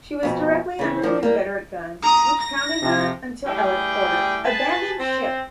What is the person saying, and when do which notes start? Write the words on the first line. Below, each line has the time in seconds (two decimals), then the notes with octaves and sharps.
She was directly under Confederate guns, which pounded her until Ellet ordered "abandon ship,".
0.23 F2 B2
0.79 C#3 E3
1.02 D#3 F3 C4 D4
1.23 G3 A#3
2.03 A#5 D#6
2.41 A#6
2.82 C3 F3
3.45 A2 G3 G#4 B4 G5
4.44 G#4 B4 G#5 A5
4.98 C4